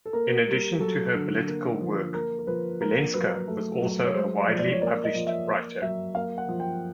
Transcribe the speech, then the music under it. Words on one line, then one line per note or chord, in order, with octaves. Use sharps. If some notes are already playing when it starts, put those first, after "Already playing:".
In addition to her political work, Vilenska was also a widely published writer.
A4
A#3 A#4
G3
F#3 A4
D3
A#3
F3
A#3 A#4
A#4
F3 B4
A#3 A#4
F#3 B4
A3
F#3
C#5
G#3 C5
D5
F3
D5
C#5
A#3 D5
D#5
F3
E5
A#3
F#3 E5
A#3 F5
F#5
F3
G5